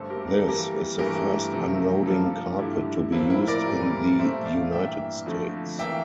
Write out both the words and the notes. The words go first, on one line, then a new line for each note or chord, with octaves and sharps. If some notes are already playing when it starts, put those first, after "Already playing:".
This is the first unloading carpet to be used in the United States.
Already playing: G2 D3 A3 A4 C5
G4 A#4
A#4
A4
F2 E3 G3 A#3 G4 A#4
G2 E3 A3 G4 A#4
C3 F3 A3
G2 F3 A#3 F4 A4
G2 D3 A3 E4 G4
A2 F3 A#3 C4 E4
C4 E4
A#4 D5
A2 E3 G3 A#3
A#2 A3 C5 E5
D5 F5
G2 E3 A#3 E5 G5
F2 D3 F3 A3
E3 A#3 E5 G5